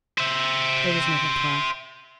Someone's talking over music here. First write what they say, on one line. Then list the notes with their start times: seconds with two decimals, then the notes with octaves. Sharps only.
There was no reply.
0.18 C5 E5